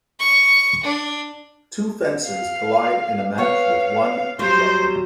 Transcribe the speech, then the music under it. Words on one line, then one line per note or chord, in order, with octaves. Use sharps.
Two fencers collide in a match with one deflecting.
C#6
D4
F5
B3 C#5 F5
F#3 G3 C5